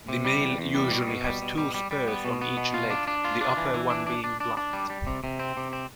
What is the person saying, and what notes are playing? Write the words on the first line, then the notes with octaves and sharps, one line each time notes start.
The male usually has two spurs on each leg, the upper one being blunt.
C3
G3
E2
E2
G3
B2
B2
G3
B2
G3
G3
G3
B3
B2
B3
B2
F4
D4
D4
F4
D4
E3
E3
D4
D4
D4
D4
D4
G3
G3
C3
C3
C4
C3
C4